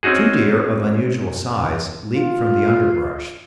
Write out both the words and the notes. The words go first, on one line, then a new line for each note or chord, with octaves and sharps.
Two deer, of unusual size, leaped from the underbrush.
C4 C#4 D#4 F#4 G#4
F4